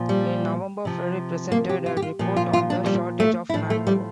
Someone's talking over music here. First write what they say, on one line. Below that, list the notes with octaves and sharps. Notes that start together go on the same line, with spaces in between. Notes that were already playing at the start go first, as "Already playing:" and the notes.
In November Ferry presented a report on the shortage of manpower.
Already playing: A#2 F3
G3
C3 F3
A#3
G4
F4
G4
F4
A#2 F3
F4
F4
D4
G3
A3
E4
A2 F3 D4
A3
G3